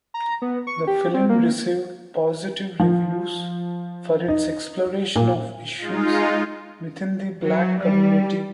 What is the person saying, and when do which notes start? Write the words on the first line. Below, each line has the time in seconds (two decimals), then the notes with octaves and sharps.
The film received positive reviews for its exploration of issues within the black community.
0.14 A#5
0.42 B3
0.67 C#6
0.87 G4
1.14 C4
1.29 A#3
2.80 F3
4.28 D#4
5.16 A#2
5.77 G#3 D#4 F4
7.45 F#3
7.82 G3